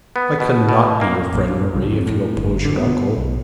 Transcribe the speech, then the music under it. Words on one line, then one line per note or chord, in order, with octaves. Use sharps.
'I cannot be your friend, Marie, if you oppose your uncle.
B3
B2
B2
A#3
A#1
G2
C2
F2
A2
G1
D3
B3
B1